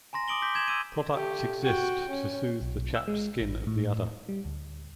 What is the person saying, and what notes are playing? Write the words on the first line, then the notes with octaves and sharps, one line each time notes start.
Products exist to soothe the chapped skin of the udder.
G#5 A#5 C6 A#6
D6 D#6 D7 F#7 G7
D6 G6 B6
G#6 E7 F#7
E6 G#6 D#7
A3 G4
F#4 G5
C#4
B1
E6
G#3
A1
A2
G3
D2